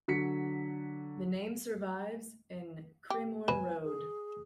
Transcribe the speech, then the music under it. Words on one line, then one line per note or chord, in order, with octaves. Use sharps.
The name survives in Cremorne Road.
D3 F#3 B6 C#7
G4
B2 B4 G#5
G#4